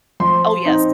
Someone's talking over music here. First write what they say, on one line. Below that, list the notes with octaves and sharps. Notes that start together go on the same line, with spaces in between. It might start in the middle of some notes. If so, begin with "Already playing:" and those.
Oh, yes.
F3 C6
C4 D#4